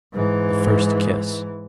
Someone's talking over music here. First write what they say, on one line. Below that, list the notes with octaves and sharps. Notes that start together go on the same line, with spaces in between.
The First Kiss.
G#2 E3